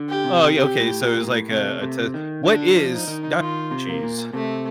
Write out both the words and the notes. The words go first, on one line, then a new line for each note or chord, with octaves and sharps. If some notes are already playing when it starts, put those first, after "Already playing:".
Oh, yeah, okay, so it was like a a t what is na cheese?
Already playing: D3
G4
C3
C3 G4
A2
A#2 A#3
A#2
A2
C3 A3
C3
D#3
D3 D4
F3
D#4
D#3
D#3 F4
C3
A#3
A#2
C3 A3